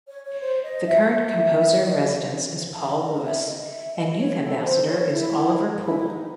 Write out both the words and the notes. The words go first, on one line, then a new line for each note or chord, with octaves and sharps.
The current composer in residence is Paul Lewis and youth ambassador is Oliver Poole.
C#5
C#5
C5
D#5
E5
E5
C#5
D#5
E5
D#5
E5
D#5
E5
D#5
C#5
A4
C5
C#5
E4
E4
D#4